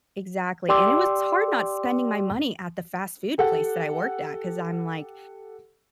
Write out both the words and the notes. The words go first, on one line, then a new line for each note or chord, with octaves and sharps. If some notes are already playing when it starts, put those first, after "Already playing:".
Exactly. And it was hard not spending my money at the fast food place that I worked, 'cause I'm like,
G4 D5 G5 C6 D6 E6
G4 A4 F#5